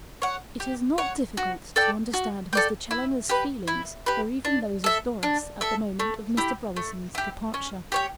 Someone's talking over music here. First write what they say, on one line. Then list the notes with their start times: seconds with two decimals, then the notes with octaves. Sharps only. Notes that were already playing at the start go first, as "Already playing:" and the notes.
It is not difficult to understand Mr. Challoner's feelings or even those of Doris at the moment of Mr. Brotherson's departure.
0.22 C#5 F#5
0.60 G4
0.98 C#5 F#5
1.37 F#4
1.76 A4 D5 G5
2.14 F#4
2.53 A4 D5 G5
2.91 E4
3.29 G4 B4
3.67 E4
4.06 G4 B4
4.45 D4
4.84 A4 E5
5.23 D4
5.61 A4 E5
5.99 A3
6.37 E4 G4
6.76 A3
7.15 E4 G4
7.54 C#4
7.92 G4 C#5 G5